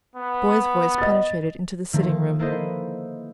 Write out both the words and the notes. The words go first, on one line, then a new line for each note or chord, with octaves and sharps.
A boy's voice penetrated into the sitting-room.
B3
D#5 A6
D3 D#3 F3 A3 A#3
A#3 E4 A4 B4 C5 D#5